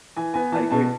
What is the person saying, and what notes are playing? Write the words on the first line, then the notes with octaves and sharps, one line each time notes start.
I agree.
E3 G#5
B3 G#5
E3 A5
B2 A5